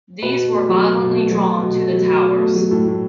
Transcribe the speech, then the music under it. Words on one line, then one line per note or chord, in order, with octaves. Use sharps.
These were violently drawn to the towers.
B2 B4
B2
A3
F#3
B2
B2
A3
F#3
B2
B2
A3
F#3
B2
B2
A3
F#3
A2 A4
A2